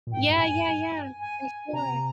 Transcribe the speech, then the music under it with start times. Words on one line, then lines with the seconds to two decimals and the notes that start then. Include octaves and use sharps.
Yeah, yeah, yeah. For sure.
0.07 A#2
0.12 G#2 G5
0.30 G2
0.39 G#5
1.20 G#5
1.73 C3 A#5